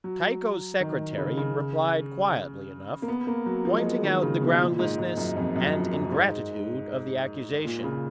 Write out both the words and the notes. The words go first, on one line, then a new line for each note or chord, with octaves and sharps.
Tycho's secretary replied quietly enough, pointing out the groundlessness and ingratitude of the accusation.
F#3
D#3
C#3
C#3
A#3
B3
A#3
F#3
F3
G#3
F#3
D#3
C#3
B2
A#2
G#2
G#2
F#2
F2
F#2
F2
F#2
G#2
A#2
C#3